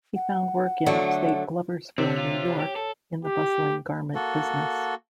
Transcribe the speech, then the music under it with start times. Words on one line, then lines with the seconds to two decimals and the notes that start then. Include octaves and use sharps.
He found work in upstate Gloversville, New York, in the bustling garment business.
0.16 F#5
0.86 D3 F#3 A3
1.98 C3 C4 C#5
2.18 F4
2.60 G4
2.76 A4
3.25 G4
4.15 A#3 F#4 A4